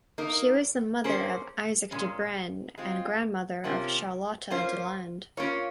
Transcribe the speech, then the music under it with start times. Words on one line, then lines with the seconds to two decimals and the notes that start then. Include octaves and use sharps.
She was the mother of Isaac de Broen and grandmother of Charlotta Deland.
0.18 A#3 D#4 A#4
1.04 A#3 C#4 G#4 C5
1.91 A#2 G#3 C#4
2.78 G#3 C4 F4
3.64 C3 F3 A#3 C#4
4.50 A#3 C#4 F4 C5
5.37 A#3 C#4 F4 A#4 C#5